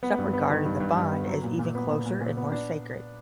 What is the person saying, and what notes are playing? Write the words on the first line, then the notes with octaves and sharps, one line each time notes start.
Some regarded the bond as even closer and more sacred.
B3
G2
B3
D#3
G2
G2
G2
B3
F#3
A#2
A#2
B3
A#2
A#2
A#2
B3
D4